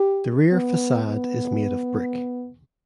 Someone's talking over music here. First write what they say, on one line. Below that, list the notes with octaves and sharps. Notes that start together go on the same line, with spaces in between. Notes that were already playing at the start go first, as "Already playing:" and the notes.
The rear facade is made of brick.
Already playing: G4
B3
B3